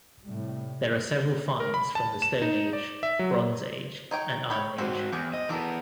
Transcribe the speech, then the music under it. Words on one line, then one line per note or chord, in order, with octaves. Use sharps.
There are several finds from the Stone Age, Bronze Age and Iron Age.
A2 C3 G3
A#4
B5
A5
E7
D#4
D5
E5
F#3
D#4 C#5 G5
C#5 G5 B5
G#2 G3 C4 F#4
E2 G4 G#4
C4 D#5
E3 B3 A4 A#4 D5